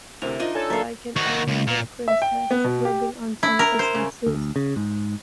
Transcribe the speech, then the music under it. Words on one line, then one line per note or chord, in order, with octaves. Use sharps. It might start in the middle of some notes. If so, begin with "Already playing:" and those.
Like an oriental princess, rubbing on some essences.
D2 C3 E4 A#4 C5 F7
D4 D#4 F4 D#5 D#7
A4 C#5 D5 G#5 A5 G#6
D2 F#3 E5 F5 A#5
D#3 F#4
C#2
A#2
E5
G5
B3
B2
G4
E4
A#4
C5
C#3
D2
C#3
G#2